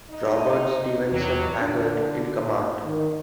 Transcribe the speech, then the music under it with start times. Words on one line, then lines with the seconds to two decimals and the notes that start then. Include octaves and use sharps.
Robert Stevenson Haggart in command.
0.10 D#4 D#5
1.12 E2 F#3 G3
1.61 D3 D4
2.85 D#3